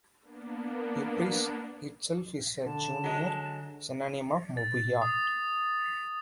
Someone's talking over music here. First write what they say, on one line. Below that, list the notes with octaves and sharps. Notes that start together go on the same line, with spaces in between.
"Euprepis" itself is a junior synonym of "Mabuya".
A#3 B3 D4
D3 A5
F#3 G#3
A6
D#6